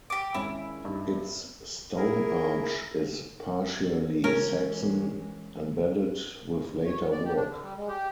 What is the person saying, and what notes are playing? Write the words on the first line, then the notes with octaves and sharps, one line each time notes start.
Its stone arch is partially Saxon, embedded with later work.
G4 D6
G#1 C#4 E4 B5
G2 D#4
E4 G#4 A#4
E3 G#3 C#4 A#4
C#5
B3
D5
G4
D4
D3
G3
G#3
G4